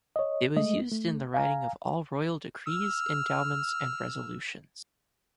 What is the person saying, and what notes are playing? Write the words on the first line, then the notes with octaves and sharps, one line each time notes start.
It was used in the writing of all royal decrees, endowments, and resolutions.
C#5 D#5
G#3 A3 D#5
A3
F5 G#5 A#5
E6 F6